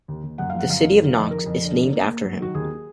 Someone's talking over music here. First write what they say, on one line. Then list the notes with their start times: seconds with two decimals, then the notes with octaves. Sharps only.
The City of Knox is named after him.
0.08 D#2
0.23 D#2
0.38 F#2 F#5
0.50 F5
0.54 F3 F#5
0.70 F#2 F5
0.85 F#2
1.00 D#3
1.16 F2
1.31 F2 A#4
1.46 F2
1.62 D3
1.78 D3
1.93 A#3
2.09 A#3
2.24 F#3
2.39 D#3 F#4
2.54 D#2 G#4